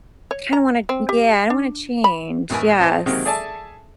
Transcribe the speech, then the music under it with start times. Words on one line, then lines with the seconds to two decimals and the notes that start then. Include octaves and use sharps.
kinda wanna Yeah, I don't wanna change, yes.
0.31 C#5
0.53 A#5
0.89 C4
1.09 G4
1.50 D4
2.04 B5
2.50 A1 D#2 A2 A#4 B4 G#5
2.79 A1 C4 D#5 A5 C6
3.06 C3 D#3 F#3 G#3 A#3 C4
3.25 G#4 A4 D5 E5 G#5 A5